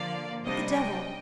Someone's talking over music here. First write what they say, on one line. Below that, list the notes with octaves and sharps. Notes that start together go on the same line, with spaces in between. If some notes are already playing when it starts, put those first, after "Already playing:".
What the devil!
Already playing: D3 F3 A#3 D5 F5
C3 G3 D4 C5 D#5
D#5 G5